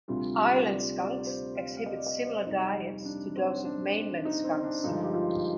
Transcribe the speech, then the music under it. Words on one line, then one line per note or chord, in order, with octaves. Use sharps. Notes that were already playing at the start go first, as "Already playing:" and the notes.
Island skunks exhibit similar diets to those of mainland skunks.
D2 C3 G3 F4
G4
D5
D5
C5
F5
F5
D#5
D5
D#5
C5
F2 C3 G3 D#4
D4
C4
D4
D#4
C4
D4
G2 D3 F3 G#3 D#4
G4
F4